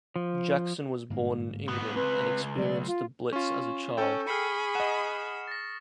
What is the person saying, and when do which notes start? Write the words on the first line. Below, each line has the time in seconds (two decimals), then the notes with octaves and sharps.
Jackson was born in England and experienced the Blitz as a child.
0.16 F3
1.10 G1 G#2 A#3
1.68 G3 B3
1.96 C#2 C4 B4
2.58 F#3 G#3 A3 D5
2.87 F4
3.33 C#4 F4 C#6
3.98 C#4 A4 G5
4.27 G#4 B5 F6 C7 C#7
4.75 D#5 F#5 D#6 E7
5.47 A6 A#6